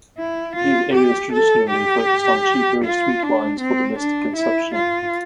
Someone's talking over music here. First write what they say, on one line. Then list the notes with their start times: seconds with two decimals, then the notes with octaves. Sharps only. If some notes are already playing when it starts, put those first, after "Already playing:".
These areas traditionally focused on cheaper, sweet wines for domestic consumption.
0.18 E4
0.56 F4
0.94 G4
1.33 A4
1.71 G4
2.85 F4
3.23 D4
3.61 C4
3.99 D4
4.37 E4
4.75 F4